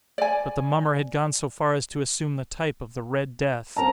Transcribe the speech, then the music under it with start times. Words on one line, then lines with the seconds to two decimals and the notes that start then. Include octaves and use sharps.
But the mummer had gone so far as to assume the type of the Red Death.
0.18 D5 G#5
3.77 C4 A#4 A5 A#5